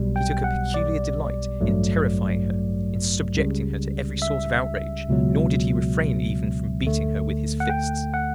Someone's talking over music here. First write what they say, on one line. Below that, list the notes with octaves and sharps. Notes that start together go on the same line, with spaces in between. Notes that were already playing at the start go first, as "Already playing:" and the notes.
He took a peculiar delight in terrifying her, in subjecting her to every sort of outrage; nor did he refrain even from beating her with his fists.
Already playing: B1 B2 G3
G5
F#5
D5
A1 G2 F#3 A3
C#2 C#3 G3
E5
C#2 B2 F#3
D2 D3 A3
F#5
G5
F#5